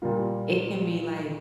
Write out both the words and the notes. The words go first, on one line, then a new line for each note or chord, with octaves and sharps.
it can be, like,
A#2 G3 A#3 F4